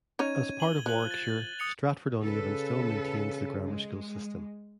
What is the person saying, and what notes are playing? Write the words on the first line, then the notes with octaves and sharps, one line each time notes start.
As part of Warwickshire, Stratford-on-Avon still maintains the grammar school system.
C#4 D#4 C#5 G#6 D#7
F#7 G7
F3 F#6 F#7
A6
D#6 C#7 F7
C#3 A4 B4
G#3